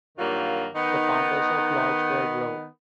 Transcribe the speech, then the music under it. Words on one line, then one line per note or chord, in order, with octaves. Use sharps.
The founders of the lodge were Bro.
G2 D#3 F#3 G3 A#3 F4
D#3 B3 D#4